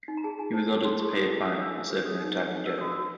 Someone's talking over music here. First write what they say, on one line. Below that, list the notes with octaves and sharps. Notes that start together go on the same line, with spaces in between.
He was ordered to pay a fine, but served no time in jail.
D#4
A#5
G#4 A5
F4 G#5
C5 A5
F4 A5
G#4 C6
E4 C#6
D#6
B4 D6
E4 D6
F4 D#6
D4 E6
A4
C5
G#4 D#6
D#4
B4
D#4
B4 E6
F#4 D#6
E6
F#4